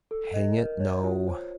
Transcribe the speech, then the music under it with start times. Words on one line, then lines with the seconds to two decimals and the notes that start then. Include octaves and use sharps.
"Hang it, no!"
0.11 A4
0.34 D#5
0.58 A#4
0.80 C#5
1.03 F4
1.26 C5